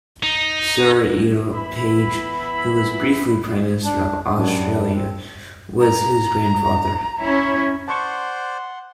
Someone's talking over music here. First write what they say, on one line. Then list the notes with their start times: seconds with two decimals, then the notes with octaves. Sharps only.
Sir Earle Page, who was briefly Prime Minister of Australia, was his grandfather.
0.23 D#4
1.53 E3 B3 E4 B5
3.84 D4
4.38 F#2 G3 D4
4.94 C4
5.81 A#5
7.20 C#4 E4 C#5
7.88 C5 D5 F#5 A5 C6 C#6